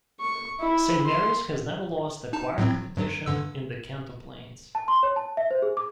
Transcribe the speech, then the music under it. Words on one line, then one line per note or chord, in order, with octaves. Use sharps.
Saint Mary's has never lost a choir competition in the Kanto Plains.
C#6
E4
C6
D#4 A5
A2 F#3 C4
G2 F#3
G2 D3 E6
A5
C6
C#5
A5
E5
C5
G#4
D6